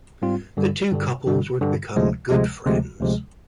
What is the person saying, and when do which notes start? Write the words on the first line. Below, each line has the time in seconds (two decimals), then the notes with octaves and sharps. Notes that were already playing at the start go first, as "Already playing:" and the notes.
The two couples were to become good friends.
0.22 G#2 G3 C4 F4
0.57 G2 D3 G3
0.92 G2 D3 G3
1.26 G2 D3 G3
1.61 G2 D3 G3
1.96 D2 C3 F3 G#3
2.31 D2 C3 F3 G#3
2.65 D2 C3 F3 G#3
3.00 D2 C3 F3 G#3